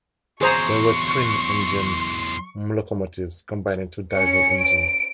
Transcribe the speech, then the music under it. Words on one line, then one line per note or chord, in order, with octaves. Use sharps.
They were twin-engined locomotives, combining two diesel engines.
E2 F#3 G#4 C5 A#5 C6 C#6
C#4 C#7
D7